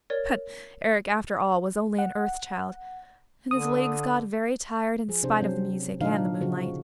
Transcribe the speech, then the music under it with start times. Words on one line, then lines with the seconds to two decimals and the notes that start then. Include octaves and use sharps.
But Eric, after all, was only an Earth Child, and his legs got very tired in spite of the music and the moonlight.
0.10 A#4 C#5 D5
1.98 F#5
3.51 D3 D#6
5.09 F3 G#4
5.23 C3 D4 C5
5.40 F#3 C4 C#4
6.00 A#2 D3 F3 D4 D#4 F5
6.40 C#3 F3 F#4